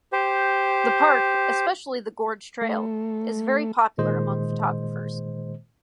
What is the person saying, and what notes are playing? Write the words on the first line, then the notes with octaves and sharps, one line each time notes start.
The park, especially the Gorge Trail, is very popular among photographers.
G4 C5
A3
A#2 D#3 G#3 C5 D#5